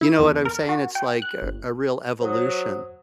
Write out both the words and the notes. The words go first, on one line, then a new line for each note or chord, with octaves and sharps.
you know what I'm saying? It's like a a real evolution,
E4
E2
A#4
F#4
G5
F#6
G1
F#3 C5 D#6